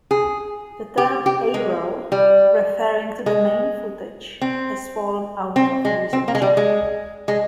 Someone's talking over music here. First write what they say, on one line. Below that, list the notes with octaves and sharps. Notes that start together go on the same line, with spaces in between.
The term "A-roll" referring to the main footage has fallen out of usage.
G#4
G4
G4
G#3
G3
G#3
C4
C4
G#3
C4
A#3
G#3
G3
G#3
G#3